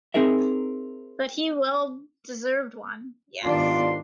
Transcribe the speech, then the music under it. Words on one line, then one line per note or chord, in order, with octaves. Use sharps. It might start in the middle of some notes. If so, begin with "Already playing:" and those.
That he well deserved one - yes.
C4 D#4 G#4 A#4 E5
C2 G#2 D#3 B3 D4 F4 D5 C6